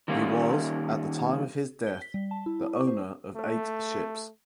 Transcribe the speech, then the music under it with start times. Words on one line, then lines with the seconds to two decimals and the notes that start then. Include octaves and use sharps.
He was at the time of his death the owner of eight ships.
0.08 D#3 G3 A#3 C#4
1.87 G7
2.02 B6
2.14 G3
2.31 A5
2.46 E4
2.62 E4
2.76 C#6
2.87 C5
3.36 A3